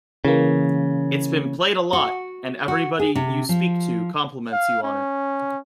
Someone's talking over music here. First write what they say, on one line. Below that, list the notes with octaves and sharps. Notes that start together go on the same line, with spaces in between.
It's been played a lot, and everybody you speak to compliments you on it.
C#3 E3 A#3
F#4
F#4
G#4
C3
F3
F5
C#4